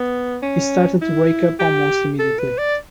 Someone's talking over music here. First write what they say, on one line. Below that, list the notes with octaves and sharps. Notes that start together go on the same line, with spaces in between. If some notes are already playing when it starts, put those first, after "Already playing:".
She started to break up almost immediately.
Already playing: B3
C#4
E4
G4
A4
B4
D5